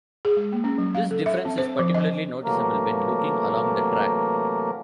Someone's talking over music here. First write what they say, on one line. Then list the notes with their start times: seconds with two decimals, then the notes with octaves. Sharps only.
This difference is particularly noticeable when looking along the track.
0.25 G#4
0.37 G#3
0.52 A#3
0.64 C#4
0.78 F#3
0.95 F5
1.11 A4
1.26 E5
1.45 C4
1.58 C5
1.79 F3
1.94 D#5
2.44 C3 E3 F#3 A3 A#3 A#4